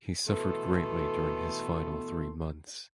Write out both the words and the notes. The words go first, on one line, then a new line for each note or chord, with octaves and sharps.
He suffered greatly during his final three months.
B2 E3 A3 B3 A4 C6